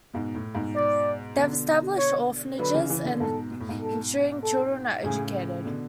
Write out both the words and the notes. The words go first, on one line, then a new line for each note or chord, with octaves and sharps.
They have established orphanages and are ensuring children are educated.
G#2 B2
A2
G#2 B2
D5
B2 D3
C#5
D3 F#3 B4
C#3 E3
C#3 E3
B2 D3
G#2 B2 A4
B2
A2
G#2 B2
A4
A4
A2 C#3 G#4
B2 D3